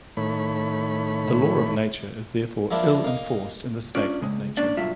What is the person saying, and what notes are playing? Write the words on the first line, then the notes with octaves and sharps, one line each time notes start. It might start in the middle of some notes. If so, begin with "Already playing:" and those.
The law of nature is therefore ill enforced in the state of nature.
A2 D#3 A3 C#5 B5
F3 A#3 D4 E4
A#3 D#4
C#4 D4 F4 D5
C#3 G#3
A#3 C#4 D4 D5
B1 G2 F4 E5